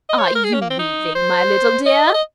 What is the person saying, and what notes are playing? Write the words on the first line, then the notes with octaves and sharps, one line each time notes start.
'Are you weaving, my little dear?'
D#5
C#5
C5
A#4
G#4
C#4
A#3
C4
D#4
C5
D#5
D#5